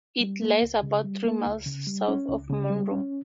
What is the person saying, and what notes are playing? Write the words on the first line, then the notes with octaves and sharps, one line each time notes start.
It lies about three miles south of Monroe.
G3
A#3
C#2
C#3
G3
A#3
C#2
C#3
G3
C#4
C#2
C#3
G3
C#4